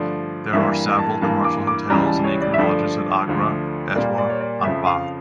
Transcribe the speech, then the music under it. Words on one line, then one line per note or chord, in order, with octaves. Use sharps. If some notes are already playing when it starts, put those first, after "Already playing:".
There are several commercial hotels and eco lodges at Agra, Etawah and Bah.
Already playing: G2 D3 F3 A3 D5
G2 E3 G3 A#3 E5
A5
G2 E3 A#3 A5
D6
D6
C#2 C#3 E3 G3 A#5
A5
C#5
D5
E5
G2 D3 F3 A3 D5
D2 D3 F3 A3
A#2 G3 A#3 D5
D5
C#5
D5
F2 C#3 F3 E5
F5